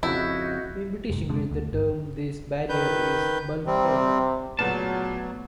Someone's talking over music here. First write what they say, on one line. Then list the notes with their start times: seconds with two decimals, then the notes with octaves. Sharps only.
In British English, the term for this barrier is bulkhead.
0.03 F2 C#3 E4 F#4 D#5 G6
1.10 F1 G#2
1.29 F1 C3 G#3 D4
1.51 D2
1.72 G1
2.69 D#3 B4 G6
3.67 C3 G3 C4
4.59 A#2 C#3 F#3 A3 B3 B4 A5